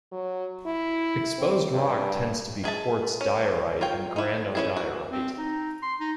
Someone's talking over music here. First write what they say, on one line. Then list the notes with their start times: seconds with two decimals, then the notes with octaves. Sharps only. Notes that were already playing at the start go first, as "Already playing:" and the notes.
Exposed rock tends to be quartz diorite and granodiorite.
0.12 F#3
0.66 E4
1.38 C4
1.73 G2
2.64 G#3 G#4 E5 A5
3.21 C#4
3.81 F4 A#4 C#5 G5
4.16 D#4 E4
4.55 C#4 E4 G#4
4.77 F#4
5.12 C4
5.38 D#4
5.83 C6
6.00 D#4